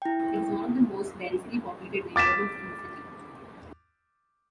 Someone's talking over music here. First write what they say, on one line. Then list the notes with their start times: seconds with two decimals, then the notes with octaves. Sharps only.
It is one of the most densely populated neighbourhoods in the city.
0.02 E4 G5
2.16 D6 A6 B6 E7